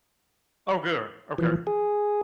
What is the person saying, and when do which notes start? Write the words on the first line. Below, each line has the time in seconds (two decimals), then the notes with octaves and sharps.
Oh, good, okay.
1.38 E3 F3
1.67 G#4